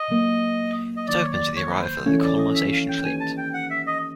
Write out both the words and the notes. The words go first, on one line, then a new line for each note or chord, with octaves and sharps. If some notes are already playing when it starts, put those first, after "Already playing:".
It opens with the arrival of the colonization fleet.
Already playing: D#5
B2 F#3 A#3
D#5
D#3 F#3 A#3 D#4 D5
C#5
D5
C#5
B4
C5
E3 A3 C#4 C#5
D5
D#5
E5
F5
G5
A#3 D#4 G4 B4 G#5
A5
G5
F#5
E5
D#5